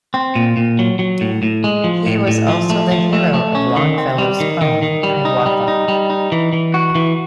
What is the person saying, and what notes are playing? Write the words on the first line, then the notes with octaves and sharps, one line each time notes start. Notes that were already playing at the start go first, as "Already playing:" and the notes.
He was also the hero of Longfellow's poem, 'Hiawatha'.
C4
A#2
A#2
F#3
F#3
A2
A2
G#3
F3
A2
A2
F3
A3
F3
A3
A3
C#4
D#3
C4
G3
D#3
D#3
D#3
G3
D#4
G3
D#4
G3
D#4
E3
E3
F#4
E3